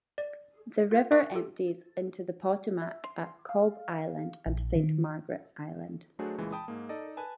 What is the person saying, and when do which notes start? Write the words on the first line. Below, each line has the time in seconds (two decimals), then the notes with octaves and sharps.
The river empties into the Potomac at Cobb Island and Saint Margaret's Island.
0.18 D5
0.91 F4 G#6
1.12 A#4 E5 G5 C#6 F#6
1.32 F4 G4 A4
2.82 E5
3.04 C6
3.49 F5
4.46 A#1
4.76 D#3
6.19 F#3 A3 D4 F#4 G#4 C5
6.38 C#2 A#2 E3 G#3
6.52 G5 A5 B5 D#6
6.68 G#2 A#3
6.89 D#4 A4 D5 D#5
7.17 B4 G#5 A5